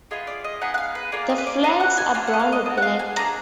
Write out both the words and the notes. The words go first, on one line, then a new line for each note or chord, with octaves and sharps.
The flanks are brown or black.
B3 F4 G#4 D#5
D5
D#5
B3 D#4 G#4 F#5
F#5
F5
B4
A#3 F4 G#4 D5
D#5
B4
D5
D4 F#4 D#5
F#5
G#5
A#3 D4 F4 G#5
F#5
D#5
F5
D#5
D4 F#4 D#5
F#5
F5
G#5
A#3 D4 G#4 A#5